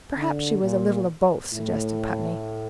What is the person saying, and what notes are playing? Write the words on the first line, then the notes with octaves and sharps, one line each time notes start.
"Perhaps she was a little of both," suggested Putney.
D3
A#2
A2